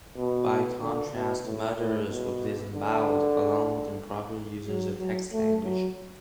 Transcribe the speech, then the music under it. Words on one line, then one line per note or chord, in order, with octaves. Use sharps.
By contrast, murderers would be disembowelled, along with improper users of text language.
B2
D3
B2
A2
A2
B2
D3
F#3
F#3
A3
F#3